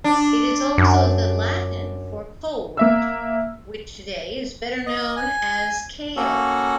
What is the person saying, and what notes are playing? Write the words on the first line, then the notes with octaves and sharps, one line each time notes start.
It is also the Latin for colewort, which today is better known as kale.
D4
F#2
A#3 E5 E6
D#5
G#5
A#3 C#4 F#4 A4